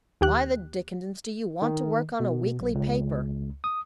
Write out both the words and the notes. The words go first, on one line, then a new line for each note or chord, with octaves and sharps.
'Why the Dickenson do you want to work on a weekly paper?
D#2 G4 F#6
D#3
B2
B1
C#2
D#6